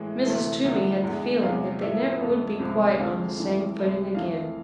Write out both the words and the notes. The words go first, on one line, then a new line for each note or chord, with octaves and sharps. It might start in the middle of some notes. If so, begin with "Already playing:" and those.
Mrs. Toomey had the feeling that they never would be quite on the same footing again.
Already playing: A2 E3 G#3
D2 C3 E3 A3 A5
E2 D3 F3 A3
E2 D3 G#3
E2 C3 G#3 F5
A2 F3 A3 E5
F2 D3 A3
C2 C3 F3 G#3
F2 D3 F3 G#3 F5
F2 E3 A3
C2 C3 G#3
F2 E3 A3 F5